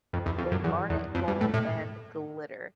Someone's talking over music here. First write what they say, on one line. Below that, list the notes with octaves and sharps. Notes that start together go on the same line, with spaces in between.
in garnet and gold and glitter.
F2
E2
F2
F#2
E2
E2
F2
G2
A2
A2